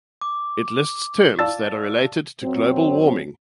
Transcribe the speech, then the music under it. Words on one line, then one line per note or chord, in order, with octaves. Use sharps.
It lists terms that are related to global warming.
D6
D5 F5 A5 E6 A6
F#2 F#3 C4